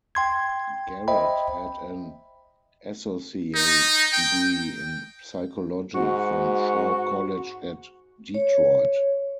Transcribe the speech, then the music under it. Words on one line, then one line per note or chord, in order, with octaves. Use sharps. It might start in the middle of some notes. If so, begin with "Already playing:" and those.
Garrett had an associate's degree in psychology from Shaw College at Detroit.
G5 C6 G#6
C5 D#5 E5 G5 B5
D#4
G5
G#2 F#4
C#5